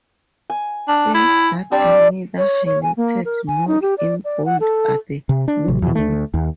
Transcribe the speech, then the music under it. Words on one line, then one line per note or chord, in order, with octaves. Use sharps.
Films that are neither highlighted nor in bold are the nominees.
G#5
D4
E4
G3 C4 D4 D5
C#5
C#5
G#5
A#3
A#4
G#5
D#4
G4
D5
D5
F#5
A4
C3
D4
A1 C3
E2 B2
D2 A3
D#2